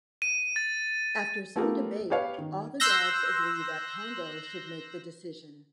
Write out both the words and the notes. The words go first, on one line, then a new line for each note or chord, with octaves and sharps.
After some debate, all the dogs agree that Pongo should make the decision.
D#7
A6
A3 B3 F4 G4 A#4
G4 B4 C#5 F5
D#3
C6 E6 F#6 G6 A#6